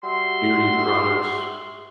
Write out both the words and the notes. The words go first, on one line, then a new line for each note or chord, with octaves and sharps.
beauty products,
G3 F#4 E5 C6